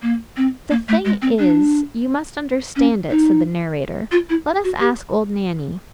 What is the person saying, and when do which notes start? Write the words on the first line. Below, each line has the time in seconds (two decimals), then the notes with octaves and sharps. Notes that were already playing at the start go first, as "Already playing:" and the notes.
"The thing is, you must understand it," said the narrator; "let us ask old Nanny."
0.02 A#3
0.37 C4
0.71 A#3
0.89 A3
1.05 G#3
1.22 C4
1.39 D4
2.76 C#4
3.10 D#4
4.12 F4
4.29 E4
4.64 F#4
4.80 G4